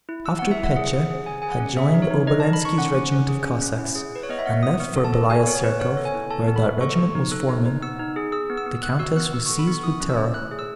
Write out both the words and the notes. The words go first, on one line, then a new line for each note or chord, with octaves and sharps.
After Petya had joined Obolenski's regiment of Cossacks and left for Belaya Tserkov where that regiment was forming, the countess was seized with terror.
E4
E4 E6
B3 F#5
E5
E4 F#5
G#4 F#5
G#4
G#4
G#4 G#5
G#4 G#5
F#5
C#4
G#4 E5
D#4
C#5
D#4
D#4 D#5
D#4 A5
B5
D#4 C#6
C#4 F#5
C#4
C#4
G#4
C#4
C#4
E4
G#4
E4 B4
C#5
B3 D#5
E5
B3 F#5
E4 D#6
B3
A4
A5
A4
F#4 G#5
B3 C#5
B3 B4
B3 C#5
A4
G#5
E4
A4 A5
B3
B5
B3
A4 C#6
F#4
D#4
A4 F#6
D#4
D#4
B3 E6
D#4
G#4
G#4 E6
B3
E6
B3
B3 F#6
F#4 E6
B3 F#6
B3 E6
A4 C#6
B5
B3 C#6
E4 D#6
C#4
E6
E4
A3 F#6
G#4
E6